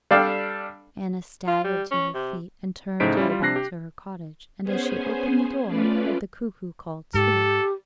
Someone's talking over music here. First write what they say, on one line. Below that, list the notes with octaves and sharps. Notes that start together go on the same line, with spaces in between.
Anna staggered to her feet, and turned to go back to her cottage, and as she opened the door, heard the cuckoo call two.
G3 D4 A4 D5 F5 G5
F4
G3
C#4
C3
A2 C#3 D#4 C5 B6 D7
G3 C#4 E4 F4
G3 F4
C3 D4 F#6 A#6 C7
G4
B3 C#4 G#4 C5 G#5
A3 C#4 F4 B4 D5
G#2 G4 A4